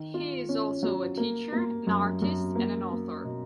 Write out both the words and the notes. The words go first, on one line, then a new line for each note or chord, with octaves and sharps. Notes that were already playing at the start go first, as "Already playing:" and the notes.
He is also a teacher, an artist and an author.
Already playing: D#3
F4
C#4
F#3
A#3
A#3
F#2
F#2
A#3
A#3
B2